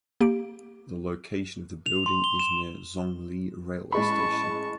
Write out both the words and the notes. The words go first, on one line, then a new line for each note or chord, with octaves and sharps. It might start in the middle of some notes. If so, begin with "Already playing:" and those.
The location of the building is near Zhongli railway station.
A#3 G4 D7
F7
C6
G7
E7
A1 G#3 A5 B5 C#6